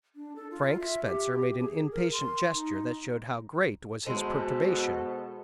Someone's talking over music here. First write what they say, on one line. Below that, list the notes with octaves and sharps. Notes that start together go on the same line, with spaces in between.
Frank Spencer made an impatient gesture that showed how great was his perturbation.
D4
A4
F4
E5
G4
G#4
A#4
C6
D#4
B2 G#3 E4 A4 C5